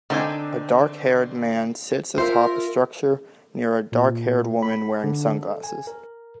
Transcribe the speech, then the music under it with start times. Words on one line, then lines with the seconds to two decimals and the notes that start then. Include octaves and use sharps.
A darkhaired man sits atop a structure near a darkhaired woman wearing sunglasses.
0.10 D3 D#3 C4 G5 G#5
2.18 F4 A#4 C5 E5
3.92 A#2
4.63 B5
5.04 D3
5.35 A4
5.64 G#5
5.87 A#4